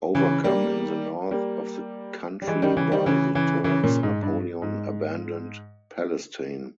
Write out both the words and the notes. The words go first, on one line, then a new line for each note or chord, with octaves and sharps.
Overcome in the north of the country by the Turks, Napoleon abandoned Palestine.
C#3 E3
G3 A#3
G3 A#3
G3
E3 G#3
D#3 G3
C#3 E3
D#3 G3
C#3 E3
C#3 E3
C#3 E3
A#2 C#3
G#2
G2
G#2